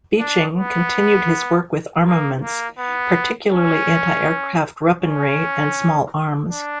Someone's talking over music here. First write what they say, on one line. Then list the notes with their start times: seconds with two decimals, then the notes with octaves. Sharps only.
Beeching continued his work with armaments, particularly anti-aircraft weaponry and small arms.
0.19 D4
0.56 B3
2.05 A#3
2.42 A#3
2.79 B3
3.53 C#4
5.02 C#4
6.50 D4